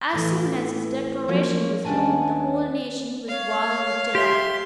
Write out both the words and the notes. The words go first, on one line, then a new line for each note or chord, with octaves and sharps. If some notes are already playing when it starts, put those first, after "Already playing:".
As soon as his declaration was known, the whole nation was wild with delight.
A2 E3
F3 F#3 A#3 C#4
D#2 B3 C#4 D4 G#5 A5
C#5 F5
G4 E5 C6